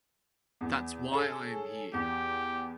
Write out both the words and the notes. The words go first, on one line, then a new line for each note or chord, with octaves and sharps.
That's why I am here.
E2
C#4 G#4 A4
E2 G4